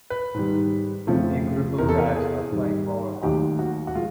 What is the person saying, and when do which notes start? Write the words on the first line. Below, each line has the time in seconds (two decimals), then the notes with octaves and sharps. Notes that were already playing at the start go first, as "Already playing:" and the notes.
A group of guys are playing roller hockey.
0.10 B4
0.34 G#2 D#3 G3
1.07 F2 C#3 F3 A3
1.78 E2 C3 E3 A#4
1.89 A4
1.98 A#4
2.15 G#4
2.51 G#2 D#3 G3
3.23 D#2 D#3 F#3 A3 G4
3.59 F#4
3.87 F#4
3.95 F3 G#3 F4